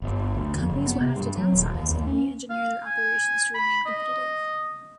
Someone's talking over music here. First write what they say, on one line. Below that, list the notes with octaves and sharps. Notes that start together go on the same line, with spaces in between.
Companies will have to downsize and re-engineer their operations to remain competitive.
G1
D2
F2
F#1
B3
C3
G2
F#3
D#1
D#2
D#2
C#4
F5
G#5
B5
D#5